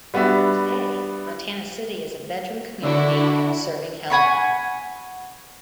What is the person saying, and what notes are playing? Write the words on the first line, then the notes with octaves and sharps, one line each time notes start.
Today, Montana City is a bedroom community serving Helena.
G3 B3 D4 F#4 E5
D3 D4 E4 F#4
F#5 G#5 B5 C#6